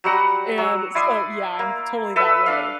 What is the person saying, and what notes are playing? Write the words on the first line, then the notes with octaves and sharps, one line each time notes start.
and so, yeah, I'm totally that way.
F#3 G3 F#5 A#5
F#3
E4 D5 C6 D#6
A#3
A4 B4 E5 E6
D4 F5